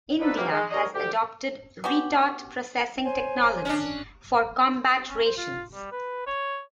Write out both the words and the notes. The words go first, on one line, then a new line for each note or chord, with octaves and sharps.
India has adopted retort processing technology for combat rations.
F3 D4 D#4 A4 B4
C3 E3 F#3 G3 A#3
G#3
D#2 G3 D4 A#4 C#5 D#5
D2 G4
B3 C#4 F#4 G4
C5 C#5 G#5
C#4 D4
C#4
C5
F4
G3
B4
C#5